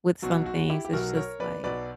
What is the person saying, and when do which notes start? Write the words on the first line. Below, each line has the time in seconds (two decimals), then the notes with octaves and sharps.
with some things, it's just like
0.22 B1 B2 F#3 F#4
0.46 F#4
0.70 E4 G4
0.85 G4
0.93 B1 B2 F#3 F#4 A#4
1.16 A#4 C#5
1.40 B4 D5
1.64 B1 B2 F#3 B4 D5